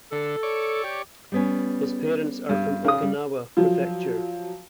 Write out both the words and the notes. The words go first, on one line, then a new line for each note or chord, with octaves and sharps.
His parents are from Okinawa Prefecture.
D3 A4
C#5 D5
G4
G3 B3 C#4
G2
C#3 D#6
G3
F3 F#3